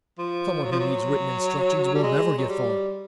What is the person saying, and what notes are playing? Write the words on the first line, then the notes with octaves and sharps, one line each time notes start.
Someone who needs written instructions will never get far.
F3
F#3
F3
F#3
G3
G#3
F#3
G3